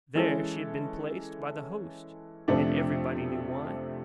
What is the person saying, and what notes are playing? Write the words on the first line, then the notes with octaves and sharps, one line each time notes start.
There she had been placed by the host; and everybody knew why.
E3 G#3 C#4 E4 A4
F2 C3 F3 A3 D4